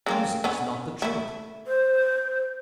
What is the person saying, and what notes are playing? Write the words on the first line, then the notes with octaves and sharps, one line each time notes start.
Music is not the Truth.
C#3 A#3 C4
D3 B3 C#4
A3 E4
C5